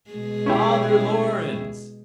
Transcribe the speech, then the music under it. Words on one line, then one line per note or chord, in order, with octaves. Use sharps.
'Father Laurence!
B2 G#3 G#4
C#4 E4 G4